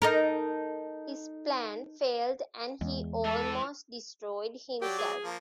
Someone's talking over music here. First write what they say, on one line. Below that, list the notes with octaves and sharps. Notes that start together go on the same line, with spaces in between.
His plan failed and he almost destroyed himself.
D#4 A4 A#4
E2 G#3
E3 G#3 A4
F#3 G4 D5
G#4
F3 A#3